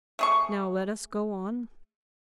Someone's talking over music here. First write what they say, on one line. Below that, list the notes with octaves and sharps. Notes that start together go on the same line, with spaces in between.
Now let us go on ...
A3 G#4 C#6